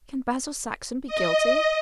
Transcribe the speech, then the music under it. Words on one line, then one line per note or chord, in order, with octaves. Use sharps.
Can Basil Saxon be guilty?
D#5